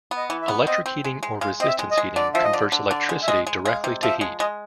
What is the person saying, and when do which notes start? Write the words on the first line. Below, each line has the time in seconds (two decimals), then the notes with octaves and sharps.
Electric heating or resistance heating converts electricity directly to heat.
0.11 B3
0.17 D#5
0.30 E3
0.42 E5
0.48 B3
0.67 C4 D#5
0.86 C4
1.04 G#3
1.23 G#3
1.41 G#3 F5
1.60 C4 D#5
1.67 E5
1.79 G#3
1.91 D#5
1.98 G#3
2.16 D3 D5
2.34 F3 E5
2.44 D#5
2.53 D3 D5
2.72 D3
2.90 D3 D5
3.09 G#3
3.23 E5
3.28 G#3 D#5
3.47 G#3
3.65 G#3 F5
3.84 C3
4.02 F3 E5
4.21 G#3
4.40 G#3 D#5